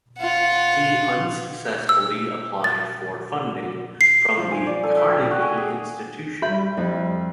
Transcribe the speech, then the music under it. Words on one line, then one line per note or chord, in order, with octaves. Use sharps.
He unsuccessfully applied for funding from the Carnegie Institution.
F4 F#5
E6
A6
C7
F3
G#5
D5
A4
E5
G5
F#4
G#5
G#4
G3 F#4 E5 B5 G6
F2 E4